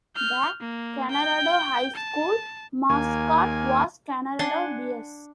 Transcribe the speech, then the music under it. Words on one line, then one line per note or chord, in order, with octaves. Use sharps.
The Kanorado High School mascot was Kanorado Bears.
F6 G6
A#3
G5 G6
A5
D#2 A#3 G#5
D4 F#5 G#5 C6